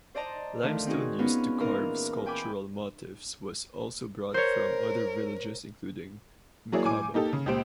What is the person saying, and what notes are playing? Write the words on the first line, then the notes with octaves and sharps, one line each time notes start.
Limestone used to carve sculptural motifs was also brought from other villages including Mqabba.
C5 D5 D#5 A5 A#5
D3 D#3 F3 A3
C4 D#4 F#4 G#4
F3 B3 C#4 D#4 F4
A#2 E3 D#4 A#4 A#5
G5 G#5 B5 D6
A#4 C5 C#5
F#3 A#3 E4 G#4 C#5 D5
A2 G#5 D6
A#3 D#4 G4 A4
C#3
C#2 A#2 G4 C5 D7